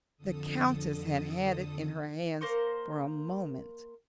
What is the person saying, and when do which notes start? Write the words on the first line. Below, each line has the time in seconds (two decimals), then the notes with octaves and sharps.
The Countess had had it in her hands for a moment.
0.18 F2 D3 A4 D#6
2.41 A#3 A#4 C5 C#6